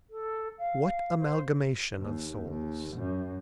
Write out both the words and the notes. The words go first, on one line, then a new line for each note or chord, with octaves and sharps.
What amalgamation of souls!
A4
F5
C5
D#2
D#2
F#2